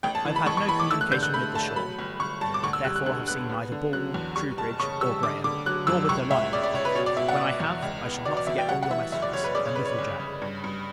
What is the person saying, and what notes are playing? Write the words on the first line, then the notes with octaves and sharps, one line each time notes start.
I have had no communication with the shore; therefore, have seen neither Ball, Troubridge, or Graham: nor with the Lion; when I have, I shall not forget all your messages, and little Jack.
A1 G5
A5
E3
B5
A1 C#6
C#6
E3 B5
D6
A3 E6
F#6
D3 G6
F#6
A3 B5
A3 A5
F#3 B5
G1
G1 C#6
G2 A5
D6
D2 C#6
E6
G3 F#6
F#6
D3 F#6
B3 F#6
B3
D3
F#3 F#6
E2
G3 C#6
F#1 A5
C#3 C#6
G3 E6
D3 D6
D3 D6
F#3 F#6
F#2 E6
C#2 C#6
C#2 E5
C#3 D5
D5
C#2 C#5
B4
B2 C#5
D5
B2 E5
F#5
B2
E2
C#2
B3
B2 D5
D5
B2 E5
G5
G3 F#5
F#5
E3 E5
F#1 E5
D5
F#1 C#5
B4
C#3 D5
C#5
C#3 B4
C#5
G1
C#3
G2
G2